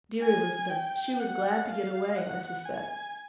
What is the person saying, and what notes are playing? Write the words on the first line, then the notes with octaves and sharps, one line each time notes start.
Dear Elizabeth, she was glad to get away, I suspect!
G#5
G5
F#5
F5
F#5
G#5